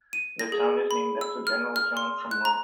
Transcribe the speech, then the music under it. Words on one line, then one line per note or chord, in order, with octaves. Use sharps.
The town is named after General John Fremont.
D#7
A#6
G#4
B5
E6
F6
F6
C6
F#6
A#5